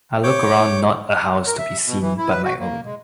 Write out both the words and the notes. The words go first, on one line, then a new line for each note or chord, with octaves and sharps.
I look around not a house to be seen but my own.
C#5 D6 G6
A#4
E5
B2
E3
E4
B4
F#4
A#3
G#3